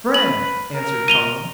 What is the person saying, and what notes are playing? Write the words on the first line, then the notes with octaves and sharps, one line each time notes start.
"Friend," answered Tom.
B4 F#7
A#4
D#7 F7 G7